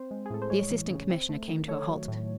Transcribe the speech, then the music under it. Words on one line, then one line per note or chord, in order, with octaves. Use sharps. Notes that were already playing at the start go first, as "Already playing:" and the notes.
The Assistant Commissioner came to a halt.
Already playing: C4 C5
G#3
G#4
A2 A4
C5
G#3 C#5
E3
C#3
C4
A3
D#3
A3 C#5
F#3
A2